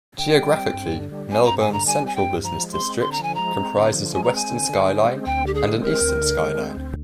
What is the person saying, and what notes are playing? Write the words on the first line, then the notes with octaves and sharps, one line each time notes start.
Geographically, Melbourne's central business district comprises a western skyline and an eastern skyline.
D3 G5
G3
C4
G2
D3
G3
C4 G#5
A#5
G2
G#5
D3
A#5
G3 G#5
C4 G#5
G5
G2
F3 A#5
G#3
C6
C4
D3 C6
A#5
F3 G#5
G#3 A#5
C4
D3
F3
G#3 G#5
A#5
C4 G#5
D3
D3
G#3
C4
D2 G5
D3 G4
G#4
G#3
C4 A#4
D2
D3
G#3
C4
D2